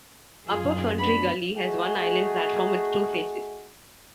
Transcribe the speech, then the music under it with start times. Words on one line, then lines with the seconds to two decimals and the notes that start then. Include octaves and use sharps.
Upper Ferntree Gully has one island platform with two faces.
0.47 F#2 F4 G#4
0.98 A3 B3 D4 B5
1.56 A3 D#4 F#4 G#4